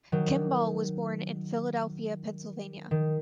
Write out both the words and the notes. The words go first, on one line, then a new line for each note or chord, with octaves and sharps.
Kimball was born in Philadelphia, Pennsylvania.
D#3 F#3
D#3